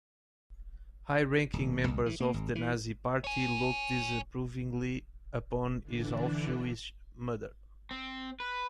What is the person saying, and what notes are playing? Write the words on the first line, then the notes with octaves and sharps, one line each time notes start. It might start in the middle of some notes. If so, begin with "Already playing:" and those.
High-ranking members of the Nazi Party looked disapprovingly upon his half-Jewish mother.
D#1
C2
E3
A#3
G#1
E3
C#5 G#5
D3 E3 D4
C4
B4